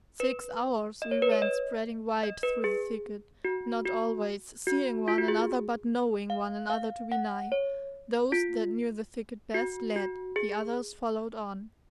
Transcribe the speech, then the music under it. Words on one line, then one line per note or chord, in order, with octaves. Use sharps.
Six hours we went spreading wide through the thicket, not always seeing one another, but knowing one another to be nigh; those that knew the thicket best led, the others followed on.
B4
D#5
C#5
B4
C#5
D#5
D#5
B4
G#4
F#4
F#4
F#4
F4
F#4
G#4
F5
F5
F#5
C#5
F4
F#4
F#4
G#4